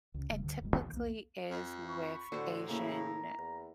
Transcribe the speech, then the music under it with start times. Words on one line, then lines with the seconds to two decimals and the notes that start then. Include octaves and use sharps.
It typically is with Asian,
0.14 C#2 C#3
0.30 E1 C#3 G3 A3
0.43 D2 G2 D3
0.62 D1 B1 F#2 G#3
0.77 A#1 D#2 B2 E3
0.93 B1 E2 E3 A#3
1.50 F2
1.90 B5 C#6
2.32 A2 D3 F#4 C5
2.69 C#3 A#3 E4 E5 A#5
3.38 E2